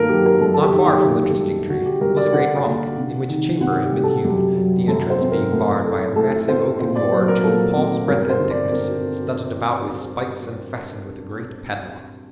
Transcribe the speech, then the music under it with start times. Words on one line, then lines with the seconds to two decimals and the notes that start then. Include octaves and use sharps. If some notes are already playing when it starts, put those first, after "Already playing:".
Not far from the trysting tree was a great rock in which a chamber had been hewn, the entrance being barred by a massive oaken door two palms'-breadth in thickness, studded about with spikes, and fastened with a great padlock.
Already playing: G2 D#3 A#3 A4 A#4
0.09 F#3 G4
0.26 A#4
0.41 F#2 A4
0.54 A4
0.63 G4
0.73 D#3
0.84 G4
1.06 A#3 G4
1.37 G3
1.69 D3 F#4
1.86 G4
2.01 G3 A#4
2.17 D5
2.32 D3 F#5
2.65 A#3
2.97 C3
3.29 D#3
3.60 C3 F#5
3.82 G4
3.93 G3
4.03 A4
4.24 F#2 G4
4.56 F#3
4.88 F#2 A4
5.10 C5
5.20 C4
5.31 A#4
5.52 A2
5.85 A3
6.16 A2 A4
6.48 C4 C5
6.80 A#2 C5
6.96 D5
7.12 F#3 C5
7.28 A#4
7.44 A#2 A4
7.75 C4
8.07 G2 A#4
8.29 C5
8.39 D3
8.51 D5
8.71 C4 A#4